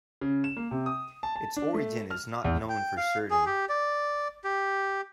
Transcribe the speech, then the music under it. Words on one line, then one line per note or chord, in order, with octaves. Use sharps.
Its origin is not known for certain.
C#3
E7
A#3
C3
D#6
A5
A5
D4
A3
F6
E2
G5
F5
G#4
G4
D5
G4